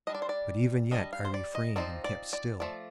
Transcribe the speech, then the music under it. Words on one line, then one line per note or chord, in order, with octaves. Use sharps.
But even yet I refrained and kept still.
G3 D4 D#5
D5
C5
D5
G3 D4 D#5
F5
C5
D5
D#5
F3 A3 C4 D#4 D5
D5
D5
F3 A3 D5